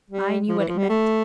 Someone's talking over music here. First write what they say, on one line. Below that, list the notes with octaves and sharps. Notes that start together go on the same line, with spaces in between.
I knew what it meant.
G3
F3
E3
F3
G3
A3